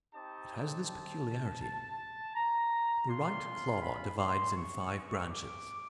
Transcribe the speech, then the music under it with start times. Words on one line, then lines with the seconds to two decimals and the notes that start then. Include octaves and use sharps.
It has this peculiarity--the right claw divides in five branches.
0.14 C4 D#4 G4 A5
0.87 A5
1.62 A5
2.36 A#5
3.08 G#3 C#4 F4 C6
3.82 B5
4.19 C6
4.57 C#6
5.30 D6